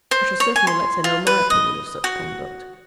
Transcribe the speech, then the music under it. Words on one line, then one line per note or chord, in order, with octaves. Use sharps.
I shall certainly let her know my opinion of such conduct.'
C5
C#5
G#5
C6
F4
B4
D#5
F#4